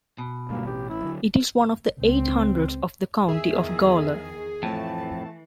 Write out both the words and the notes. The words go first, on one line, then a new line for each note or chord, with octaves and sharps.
It is one of the eight hundreds of the County of Gawler.
B2
D2 G#2 G3 A#3
A1 G4
E4
D3 F#3
C#2 C4
E2 D#3 G#4 E5
F2 A2 E3 A3 A5